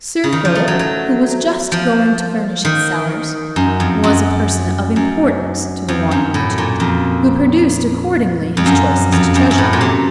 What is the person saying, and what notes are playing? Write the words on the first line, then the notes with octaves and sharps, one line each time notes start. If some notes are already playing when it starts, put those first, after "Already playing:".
Sir Philip, who was just going to furnish his cellars, was a person of importance to the wine-merchant, who produced accordingly his choicest treasures.
C#3
D#3
F3
A3
F#3
F#3
F3
D#3
F#2
F2
F#2
F#2
F2
F#2
A2
A#2
F2
F2
F#2
F2
F#2
F#2
A2
A#2
C3